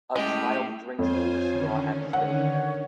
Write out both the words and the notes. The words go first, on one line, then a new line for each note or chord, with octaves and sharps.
A child drinks through a straw at his daycare.
A2 G#3 C#4 G4
F2 F4 C5 C#5 G#5
D3 D#3 C#4
C#5 F#5